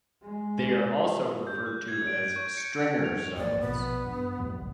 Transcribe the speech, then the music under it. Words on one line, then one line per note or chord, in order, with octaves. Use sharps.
They are also referred to as "stringer zones".
G#3
G6
F#6
G#6
D7
C#6
C#7
C#7
F7
A1 G#2 A#3 D5
A#1 B2 F3 B3
G2
F2 A2 G3
F#1 C2